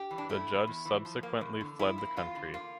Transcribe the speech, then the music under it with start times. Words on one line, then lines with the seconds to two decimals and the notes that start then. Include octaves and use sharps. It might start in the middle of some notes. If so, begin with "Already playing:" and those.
The judge subsequently fled the country.
Already playing: G4
0.11 E3
0.18 D4
0.29 A3 E4
0.48 E2
0.67 E2
0.85 E3
1.05 F3
1.23 A#3
1.41 E2
1.61 D3
1.79 F3 E4
1.98 A#3 E4
2.17 E2 F4
2.35 D3
2.54 A#3 F4